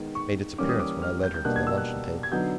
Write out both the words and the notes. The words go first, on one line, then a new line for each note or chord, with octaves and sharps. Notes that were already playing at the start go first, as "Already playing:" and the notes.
It made its appearance when I led her to the luncheon table.
Already playing: D#3 G#3 B3
C#6
E3 G3 A#3 C#4 D6
D#6
D6
F6
G6
G6
B2 G3 A#3 D4 F#6
G#6
E6
F#6
G#6
D3 F#3 B3 D#4 G6